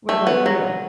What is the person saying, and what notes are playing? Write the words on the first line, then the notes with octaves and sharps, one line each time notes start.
What about you?
A3
B3
F#3